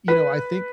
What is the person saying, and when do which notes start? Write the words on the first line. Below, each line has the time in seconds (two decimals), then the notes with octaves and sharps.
you know, I think
0.08 B4